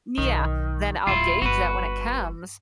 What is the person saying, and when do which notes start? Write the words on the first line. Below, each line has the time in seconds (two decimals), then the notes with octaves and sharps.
yeah, then I'll gauge that when it comes
0.18 B1 D#3
1.07 D1 E4 F4
1.42 G1 F#4 B4